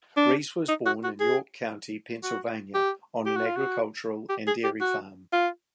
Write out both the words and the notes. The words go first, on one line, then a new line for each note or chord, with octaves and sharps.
Reese was born in York County, Pennsylvania on an agricultural and dairy farm.
D4
D#4
F#4
F#4
G#4
F#4
G4
G4
F#4
F4
F#4
G4
G#4
G4
F#4
F4